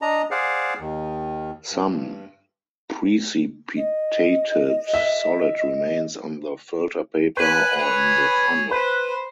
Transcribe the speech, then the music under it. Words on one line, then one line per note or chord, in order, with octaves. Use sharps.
Some precipitated solid remains on the filter paper or in the funnel.
D4 D#5 A#5
G#4 C5 D5 F5 F#5
D#2 D#3
G2
D#5
E5
B4 G#5 F#6
G#4 C#5
B4 C5